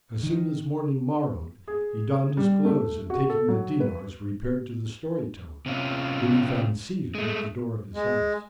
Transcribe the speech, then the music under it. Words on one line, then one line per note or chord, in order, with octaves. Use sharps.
As soon as morning morrowed, he donned his clothes and taking the dinars, repaired to the story-teller, whom he found seated at the door of his house.
D#3
G#4
G3
A3
F#4
A4
F#3
B4
C3 C#4 F4
G#3 A3
G#3